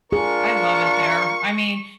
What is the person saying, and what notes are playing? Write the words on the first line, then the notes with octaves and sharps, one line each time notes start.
I love it there, I mean
D4 F4 G#4 A#4 C#6